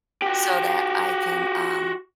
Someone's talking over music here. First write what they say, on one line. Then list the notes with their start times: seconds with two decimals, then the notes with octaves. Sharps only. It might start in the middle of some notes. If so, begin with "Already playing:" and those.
so that I can, um
0.22 F#4 G4